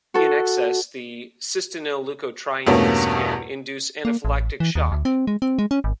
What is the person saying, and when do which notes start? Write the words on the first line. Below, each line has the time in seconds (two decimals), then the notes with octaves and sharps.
In excess, the cysteinyl leukotrienes can induce anaphylactic shock.
0.14 F#4 A4
2.67 E2 G2 B2 A3 A#3 C#4
4.05 A#3
4.25 A1
4.60 E3
4.75 D#2
4.92 D2
5.05 C4
5.27 G#3
5.42 C4
5.59 G#3
5.71 C#4
5.84 G#1